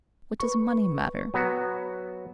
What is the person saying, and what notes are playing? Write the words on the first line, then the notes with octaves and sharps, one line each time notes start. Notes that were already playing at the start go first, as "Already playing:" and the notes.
What does money matter?
B4 C#6
F#3 B3 F#4